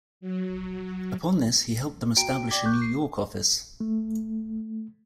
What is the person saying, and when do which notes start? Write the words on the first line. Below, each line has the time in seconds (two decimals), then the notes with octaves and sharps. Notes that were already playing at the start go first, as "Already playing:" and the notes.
Upon this he helped them establish a New York office.
0.21 F#3
2.17 F#4 C#5 G5 A#5 D7
2.49 D5 G5 D6 G#6 A#6 B6
2.65 C#6 D6 F#6 G6
2.82 C7
3.80 A3